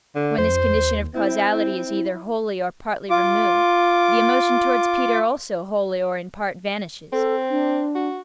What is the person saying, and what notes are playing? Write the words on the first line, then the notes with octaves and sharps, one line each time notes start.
When this condition of causality is either wholly or partly removed, the emotion towards Peter also wholly or in part vanishes.
D3
F2 C5
D#2
C4 E4
F4 D6
C4 A4
D4
F#4